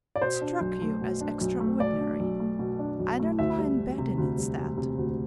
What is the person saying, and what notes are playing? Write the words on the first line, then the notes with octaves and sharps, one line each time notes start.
It struck you as extraordinary; I don't mind betting it's that.
D5
B2 C5
D4
B1
A3
B2
D4
B1
A3
B2 D5
D4
B1
A3
B2
D4
B1
A3
D2 E5
G3
E1
C3
D2
G3
E1
C3
D2